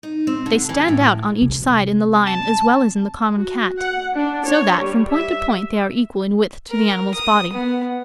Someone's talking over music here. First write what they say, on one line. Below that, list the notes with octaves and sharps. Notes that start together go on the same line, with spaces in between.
They stand out on each side in the lion, as well as in the common Cat; so that, from point to point, they are equal in width to the animal's body.
D#4
C4
D3
E3
A2
C3
A5
F#4
F#5
D4
C#5
G3
E5
A#4
D#6
B3